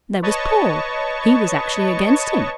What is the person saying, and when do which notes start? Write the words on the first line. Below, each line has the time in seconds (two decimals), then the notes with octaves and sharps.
There was Paul; he was actually against Him.
0.22 B4 C#5 D#5 A5 C#6